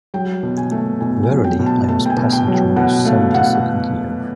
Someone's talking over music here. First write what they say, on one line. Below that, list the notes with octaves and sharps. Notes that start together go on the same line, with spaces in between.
Verily I was passing through my seventy-second year.
F#3 G5
B2
G#5
A3
B2 G#5
G#5
F#3
G5
B2
A5
A3 A5
G5
G#5
B2
G5
F#3
G5
B2 F#5
A3 F5
F5
B2 F#5